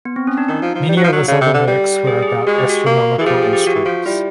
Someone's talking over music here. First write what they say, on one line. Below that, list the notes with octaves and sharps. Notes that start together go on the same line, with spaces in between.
Many of his other works were about astronomical instruments.
B3
C4
C#4
D4
D#3 D#4
F3
F3
G3
F#3
F3
F#3
C#3
C3
D3
G3
G#4
G#4
G4
G#3 F#4
G4
F#4
A#3
E3 G#4
F3 G4
G#4
G4
F3 F#4
E3
F3 F4
G3 E4